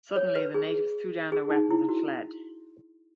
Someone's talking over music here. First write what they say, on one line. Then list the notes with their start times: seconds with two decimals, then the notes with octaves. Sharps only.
Suddenly, the natives threw down their weapons and fled.
0.16 C#5
0.36 B4
0.54 G#4
1.32 G#4
1.50 D#4
1.71 E4
1.89 F#4